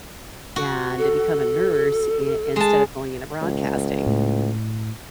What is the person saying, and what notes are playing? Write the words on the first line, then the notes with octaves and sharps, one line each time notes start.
and to become a nurse i instead of going into broadcasting,
F#4
A4
G#3 A5
C#2
A2